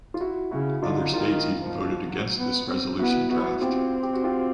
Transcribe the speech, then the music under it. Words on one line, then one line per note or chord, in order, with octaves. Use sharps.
Other states even voted against this resolution draft.
F4
E4 F#4
C#3 E4 F#4
D3 D#4 F4
D#3 D#4 F4
F3
F#3
B3
C4
B3 E4 F#4
B3 E4 F#4
C4 F4 G4
G4
F#4
F4 G4